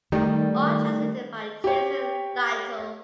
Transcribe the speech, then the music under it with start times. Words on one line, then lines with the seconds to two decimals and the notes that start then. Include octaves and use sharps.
All tracks written by Jason Lytle.
0.12 D#3 G3 A3 D5
1.64 G4 C#5